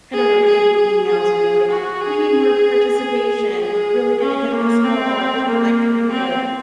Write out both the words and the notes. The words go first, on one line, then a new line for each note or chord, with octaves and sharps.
I don't know, you're getting emails, and they're like, "We need more participation. We're really gonna hit this goal. I'd really like for you to,"
G#4
G#4
G#4
G#4
F#4
G#4
G#4
G#4
C#4
A#3
C4
A#3
C4